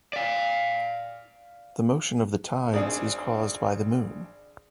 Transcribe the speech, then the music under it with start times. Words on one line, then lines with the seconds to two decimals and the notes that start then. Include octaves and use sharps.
The motion of the tides is caused by the moon.
0.13 D5 F5
2.74 G#1 D4 G#4